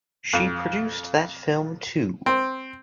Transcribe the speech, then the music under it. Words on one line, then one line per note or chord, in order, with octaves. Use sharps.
She produced that film too.
F2
C4